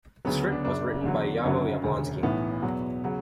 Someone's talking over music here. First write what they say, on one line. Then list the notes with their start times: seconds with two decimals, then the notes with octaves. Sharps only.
The script was written by Yabo Yablonsky.
0.25 D2 C#3 F#3 B3
0.52 D4
0.65 F#1 F#2 C#3 D4
1.04 E2 D3 F#3
1.44 F#1 F#2 D3 F#3 C#4
1.83 E1 D2 C#3
2.23 B1 A2 E3 B3
2.62 E2 B2 F#3
3.04 C#3 F#3